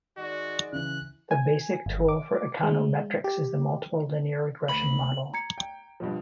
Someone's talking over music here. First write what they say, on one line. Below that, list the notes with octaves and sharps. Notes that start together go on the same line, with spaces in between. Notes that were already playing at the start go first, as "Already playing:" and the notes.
The basic tool for econometrics is the multiple linear regression model.
D#3 G#3 F#4 D5
C#3 E3 F#6
G#5
G1
D6
G#3
G4
D2 B5 F#7
A#5 G#6 C#7
G5
G2 B2 F3